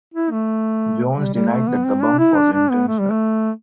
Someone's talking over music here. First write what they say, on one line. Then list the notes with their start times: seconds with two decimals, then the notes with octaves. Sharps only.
Jones denied that the bump was intentional.
0.14 E4
0.31 A3
1.17 G3
1.34 G3
1.50 A3
1.68 B3
1.85 C4
2.02 D4
2.19 E4
2.36 D4
2.53 D4
2.70 B3
2.88 A3
2.99 G3
3.10 A3